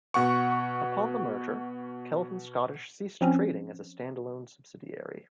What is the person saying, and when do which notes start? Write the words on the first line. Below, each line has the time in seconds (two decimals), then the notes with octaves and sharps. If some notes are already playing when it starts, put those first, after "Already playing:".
Upon the merger, Kelvin Scottish ceased trading as a stand-alone subsidiary.
0.14 B2 F#5 C#6
3.21 F3 C4 C#4